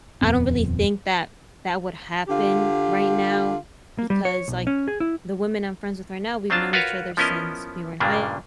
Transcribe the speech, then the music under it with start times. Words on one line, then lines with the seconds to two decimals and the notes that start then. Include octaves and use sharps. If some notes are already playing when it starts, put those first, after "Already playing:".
I don't really think that that would happen right now because, like, the women I'm friends with right now, we've known each other since we were in high
0.22 D#1 F2 B3 C4
2.28 D3 F4 G4
3.98 A#3
4.10 G3
4.25 C#5
4.48 B1
4.67 C#4
4.88 G#4
5.00 E4
6.50 F#3 C4 D4 F4 A5
6.73 F4 F#4 A#4 B4 C#5 F5
7.17 F3 B3 C#4 E4 A#4 D#5
8.00 G2 A#2 C#3 G3 A#3 D4